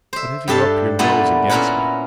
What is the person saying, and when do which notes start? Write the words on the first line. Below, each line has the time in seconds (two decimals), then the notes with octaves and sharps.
What have you up your nose against me?
0.13 C5 E5
0.48 G2 D4 G4 A4 E5 A5
0.99 A#2 G3 A3 B3 D4 E4
1.50 A#2 C#4 E4 A#4 B4 F#5